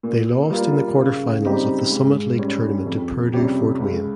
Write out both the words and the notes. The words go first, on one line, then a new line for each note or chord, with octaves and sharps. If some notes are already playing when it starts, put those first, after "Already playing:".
They lost in the quarterfinals of the Summit League Tournament to Purdue Fort Wayne.
A#2
G3 A#3 F4
C#3
G3 C4 D#4 G4
G#2
G3 C#4
F2
C3 G3 C#4 G4
C#2